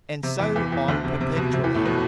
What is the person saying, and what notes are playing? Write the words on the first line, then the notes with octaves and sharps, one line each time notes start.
And so on perpetually.
C3
E2 E3
E2 E3
E2 E3
D2 D3
C3
C3
B2
C3
E2 E3
A2 A3
B2 B3